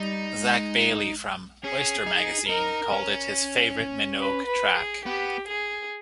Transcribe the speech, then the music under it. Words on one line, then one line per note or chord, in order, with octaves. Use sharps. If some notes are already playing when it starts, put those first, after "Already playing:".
Zac Bayly from "Oyster Magazine" called it his favourite Minogue track.
Already playing: G3 D#4
G#3
C#4 G#4
D#4
D#4 A#4
C#4
B4
B4
G#4
B3 G4
G#4